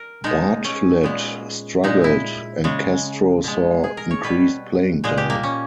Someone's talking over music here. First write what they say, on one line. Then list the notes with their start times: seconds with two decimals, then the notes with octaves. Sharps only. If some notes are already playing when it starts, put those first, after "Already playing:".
Bartlett struggled and Castro saw increased playing time.
Already playing: A#4
0.24 B2 G#3 D#4
0.64 C#4
1.03 A#2 G#3 B3
1.84 A#2 G#3 D#4
2.04 E4
2.64 C#3 G#3
3.44 B2 G#3
3.84 G#4
3.97 A#4
4.11 C#5
4.23 B2 G3 B4
5.04 A#2 G#3 G#4
5.18 G4
5.30 A#3
5.43 C#4